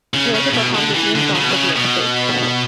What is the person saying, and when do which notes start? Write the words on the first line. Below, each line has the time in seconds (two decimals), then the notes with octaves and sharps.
He also performed the theme song for the episode.
0.14 C#3
0.34 C#3
0.54 B2
0.75 D3
0.95 E3
1.15 D3
1.35 C#3
1.44 B2
1.50 C#3
1.76 B2